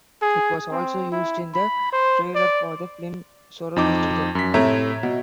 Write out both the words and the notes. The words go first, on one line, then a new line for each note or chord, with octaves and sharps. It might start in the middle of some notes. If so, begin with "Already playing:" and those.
It was also used in the trailer for the film "Sorority Row".
G#4
C4
E4
B5
C5
D5
F2 D#4 D6
F#2 B6
A2 C3 A3 E5 A#5 G#6
B2